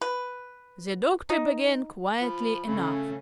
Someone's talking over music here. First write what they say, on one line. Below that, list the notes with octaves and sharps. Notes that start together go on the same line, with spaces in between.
The doctor began quietly enough.
B4
D#4
F3 B5
C#3 A3 C#4